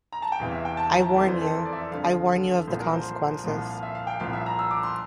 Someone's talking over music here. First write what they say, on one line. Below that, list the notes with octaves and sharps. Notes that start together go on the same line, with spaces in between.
I warn you, I warn you of the consequences.
A#5
A5
G5
E2 C3 E3 F5
E5
G5
A5
A#5
A5
F2 E3 D5
C5
A4
A#4
D5
E5
F2 D3 F3 F5
C2 A#2 F3 C5
A#4
C5
C2 A#2 F3
F5
E5
F5
G5
C2 A#2 F3 F5
E5
A#5
E6
D6
C6